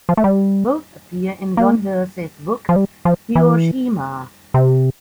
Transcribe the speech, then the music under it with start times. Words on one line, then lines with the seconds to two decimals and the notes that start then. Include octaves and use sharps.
Both appear in John Hersey's book, "Hiroshima".
0.09 F3
0.17 A3
0.24 G3
1.57 A#3
2.69 F3
2.76 G3
3.05 F3
3.35 E3
4.54 C3